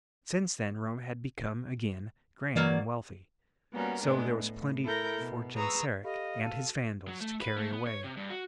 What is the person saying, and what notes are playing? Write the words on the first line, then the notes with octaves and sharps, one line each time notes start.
But since then Rome had become again grand and wealthy, so there was plenty for Genseric and his Vandals to carry away.
E3 F#3 A#3 D5
G3 A#3 B3 C#4 F#4 A#4
A2 G#3 A3 B3 D4
A2
E4 A4 A#4 G6 A#6
B2
G#4 B4 A#5 C#6 D#6 E6
G4 A4 D#5 F5 B5
F#4 A4 D#7
F#3
A3
B4
A3
B3
C#5
C3
G2
F#4